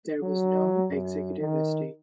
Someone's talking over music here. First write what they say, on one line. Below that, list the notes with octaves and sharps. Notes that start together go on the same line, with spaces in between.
There was no "Executive" estate.
F#3
F#2
D#3